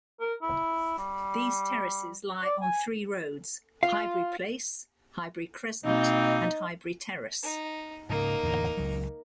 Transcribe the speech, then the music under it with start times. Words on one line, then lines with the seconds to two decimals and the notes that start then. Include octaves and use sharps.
These terraces lie on three roads: Highbury Place, Highbury Crescent, and Highbury Terrace.
0.20 A#4
0.42 E4
0.98 G3
2.44 D5
2.61 G#5
3.83 F4 F5
5.85 B2 A#3 C4 D#4
7.43 D#4
8.10 G#2 C#3 A#3 D#4
8.43 E2 A2 D3
8.77 C#2 F#3